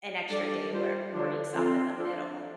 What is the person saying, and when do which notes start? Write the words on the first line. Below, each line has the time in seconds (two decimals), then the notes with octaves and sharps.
an extra day where it breaks up in the middle.
0.29 G3 D4 A4 D5
0.71 G3 F4 C5
1.13 D3 F3 D4
1.54 F3 C4 F4 A4
1.96 F3 D4 A4